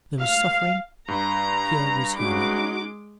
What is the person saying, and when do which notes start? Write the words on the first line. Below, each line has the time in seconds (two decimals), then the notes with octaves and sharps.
There was suffering; here was healing.
0.20 F5
1.08 G2 A#5
2.16 G#3 C#4 D#4 F#4 D6